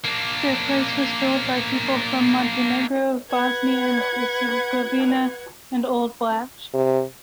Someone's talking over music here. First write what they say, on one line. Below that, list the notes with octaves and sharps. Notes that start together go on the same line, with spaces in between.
Their place was filled by people from Montenegro, Bosnia and Hercegovina and Old Vlach.
A#3 D4
B4 F#5 G#6
C3